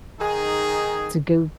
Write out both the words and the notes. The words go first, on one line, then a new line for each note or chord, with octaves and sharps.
to go
D#3 D#4 G#4